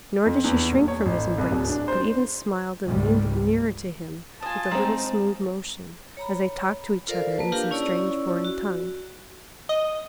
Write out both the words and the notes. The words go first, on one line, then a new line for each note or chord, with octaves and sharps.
Nor did she shrink from his embrace, but even smiled and leaned nearer to him with a little smooth motion, as they talked to each other in some strange, foreign tongue.
F2
E2
D#1
C#5
A1
C2
D1
D4
C5
G#1 C#2 G#2 C3 G3
F4 D#5 G#5 A5
G#3 C4 D#4
C#5 A#5 B5
F4 A4 A#4 C5 D5 F5
A#3 B4 A5
D4 F4 G4 A#4 F5
C#4 E4 C#5 D5 E6
F#4
D#5